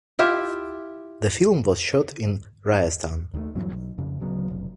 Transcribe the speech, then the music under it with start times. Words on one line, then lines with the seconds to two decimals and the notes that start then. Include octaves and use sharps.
The film was shot in Rajasthan.
0.19 E4 F4 G4 E5
3.34 D#2 D#3 G#3 A3
3.55 D1 G2 E3 F#3
3.72 B1
3.98 F2 C#3
4.20 D1 C#3 F#3 B3
4.50 F1 B1